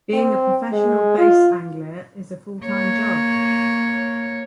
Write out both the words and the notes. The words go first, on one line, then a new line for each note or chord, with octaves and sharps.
Being a professional bass angler is a full-time job.
C4
G#3
F4
A#3 C#5